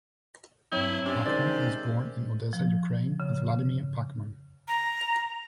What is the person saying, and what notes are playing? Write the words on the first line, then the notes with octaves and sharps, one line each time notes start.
Pachmann was born in Odessa, Ukraine as Vladimir Pachmann.
G2 F#3 C4 E4 C#5
C3 C#4 D4 A6
D#3 G#3 C5 D5
F3
C#3
A#5